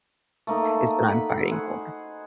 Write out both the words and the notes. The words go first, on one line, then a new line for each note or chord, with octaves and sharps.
is what I'm fighting for.
A3 A#3 D#4
F#5 B5
G#4 C5 F#5